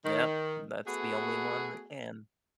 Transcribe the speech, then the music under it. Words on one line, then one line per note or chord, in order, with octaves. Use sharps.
Yep, that's the only one that can.
D#3
A3 B3 F#4 G#4